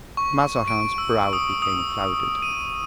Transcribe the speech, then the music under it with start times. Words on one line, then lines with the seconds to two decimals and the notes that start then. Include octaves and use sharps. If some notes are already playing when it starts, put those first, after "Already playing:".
Mazarin's brow became clouded.
0.17 C#6
0.68 D7
0.98 E6
1.33 D#6
1.62 D#6
2.42 D#7